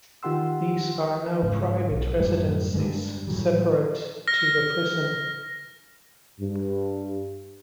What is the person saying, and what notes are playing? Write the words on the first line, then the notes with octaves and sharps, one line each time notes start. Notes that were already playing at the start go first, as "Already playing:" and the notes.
These are now private residences, separate to the prison.
D#3 F4 G4 F#5 C6 E6
G#2 C#3
B1
F#2 A2 G3
G2 D3 G#3
A2 E3 F#3 G3
F6 A#6
G2